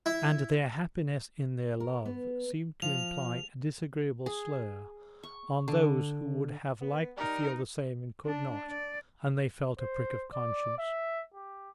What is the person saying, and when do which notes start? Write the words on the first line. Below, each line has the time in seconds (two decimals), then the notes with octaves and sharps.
And their happiness in their love seemed to imply a disagreeable slur on those who would have liked to feel the same and could not--and they felt a prick of conscience.
0.06 E4
1.80 A#4
2.05 B3
2.82 F3 F7
4.26 G#4
5.23 C#6
5.68 D3
6.81 B3
7.17 G3 D#4 A#4
8.26 D4
8.69 D5
9.79 C5
10.33 D5
10.78 E5
11.34 G4